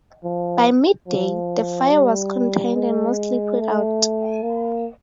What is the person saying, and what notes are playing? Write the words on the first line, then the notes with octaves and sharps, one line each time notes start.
By mid-day, the fire was contained and mostly put out.
F3
F3
G3
G#3
A3
A#3